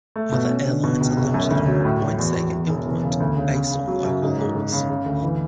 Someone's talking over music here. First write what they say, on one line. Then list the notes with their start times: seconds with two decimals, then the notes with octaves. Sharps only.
Other airlines are limited on what points they can implement based on local laws.
0.16 A3
0.32 B2
0.50 C#4
0.66 D3
0.84 B2
1.00 C#2
1.17 F#1
1.34 F#2
1.51 D2
1.68 F#3
1.85 A2
2.01 F#4
2.19 E2
2.35 E2
2.52 E2
2.69 E1
2.86 E3
3.03 C#3
3.20 D2
3.37 C#3
3.54 C#3
3.71 C#3
3.88 F#3
4.04 F#2
4.22 G#2
4.39 G#2
4.55 F#1
4.72 C#3
4.89 C#3
5.06 D2
5.23 E3